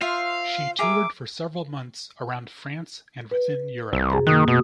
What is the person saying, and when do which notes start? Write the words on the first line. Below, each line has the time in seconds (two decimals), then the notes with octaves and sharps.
She toured for several months around France and within Europe.
0.01 F4 C5 E5 F5
0.79 G#4 A#4 E5 D6
3.31 B4
3.93 C2 C3
4.13 F#2 G#4
4.27 D#3 A#3 D#6 F#6
4.48 B2 F#4 D#6